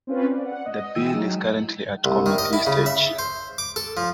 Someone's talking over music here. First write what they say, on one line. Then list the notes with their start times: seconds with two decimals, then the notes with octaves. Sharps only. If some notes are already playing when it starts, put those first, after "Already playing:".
The bill is currently at committee stage.
0.07 C4 C#4 F4 B4
0.31 D5
0.45 F#5
0.65 D#5
0.95 E3 G#3 G5 E6 D#7
1.14 F#3 G#3 D#4
2.04 C2
2.26 D#3
2.38 D#5
2.53 E4
2.67 C#3
2.86 E5
3.19 C5
3.58 D6
3.76 A4
3.97 F3